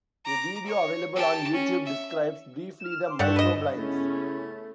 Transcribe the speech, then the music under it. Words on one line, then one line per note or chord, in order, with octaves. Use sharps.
A video available on YouTube describes briefly the micro-blinds.
A#5 D6
C#5
G4 A5
C#4
E5
F6 E7
C6 D6
G2 G3 A3 F#5 E7
B4 D#5
C#3 A3 B3 C#4 E4